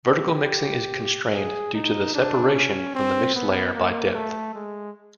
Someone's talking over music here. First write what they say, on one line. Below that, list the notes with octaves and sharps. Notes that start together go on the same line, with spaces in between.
Vertical mixing is constrained due to the separation from the mixed layer by depth.
G4
G#4
D#4
D4
C#4
C4
B3
A#3
A3
G#3